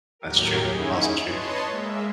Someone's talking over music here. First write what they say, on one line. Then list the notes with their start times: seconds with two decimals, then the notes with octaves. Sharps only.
That's true, also true.
0.19 D#2 A2 F#3 G4 A#4
0.62 C#4 D#4 E4 G#4
1.21 B4 C#5 D#5 A5 C6
1.67 G#3 A#3 E5